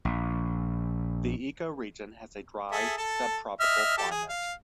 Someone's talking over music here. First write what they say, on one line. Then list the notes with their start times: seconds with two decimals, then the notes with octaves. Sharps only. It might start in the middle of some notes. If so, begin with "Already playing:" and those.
The ecoregion has a dry subtropical climate.
0.05 A#1
2.72 G#4 A4 E5
2.98 A4 A5
3.60 D#5 E5 F6
3.97 G4 A4 A5
4.11 G#4
4.29 F5